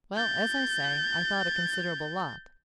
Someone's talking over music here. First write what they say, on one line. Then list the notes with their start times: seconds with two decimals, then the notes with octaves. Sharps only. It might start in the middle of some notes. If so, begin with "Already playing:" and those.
Well, as I say, I thought a considerable lot.
0.17 G6 A6